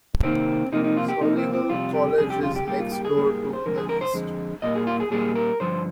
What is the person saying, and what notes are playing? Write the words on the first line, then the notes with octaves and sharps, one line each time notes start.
Solihull College is next-door to the east.
C3 D#3 A#3 C4
C3 F3 A#3 D#4
D#4
F4
G4
C3 F3 A#3 D#4
C4
C4
F2 C3 G3 F4
G4
F2 C3 G3 G#4
G4
F4
G4
G#2 G3 A#3 G4
F4
G4
G#4
G#2 G3 A#3
C5
F2 D3 G#3 A#4
G#4
A#4
C5
F2 D3 G#3
A#2 G3 A#3 D#5
G#4
F4
G#4
A#2 G3 A#3 G#4
A#4
G2 D3 F3 C5